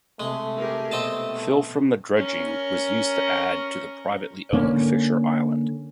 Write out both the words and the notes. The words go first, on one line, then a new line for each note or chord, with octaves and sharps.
Fill from the dredging was used to add to the privately owned Fisher Island.
C3 G#3 A3
G4 G#4 A#4
B2 C4 D#5 A5
C#4 A#4
D3 A#3 C#4